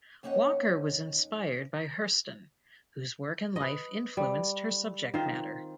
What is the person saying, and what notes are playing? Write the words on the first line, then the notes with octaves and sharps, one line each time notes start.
Walker was inspired by Hurston, whose work and life influenced her subject matter.
F2 A#3 C#4 D#4 C#5 F#5
B4 D#5
G3
D#3 C4 F4 C5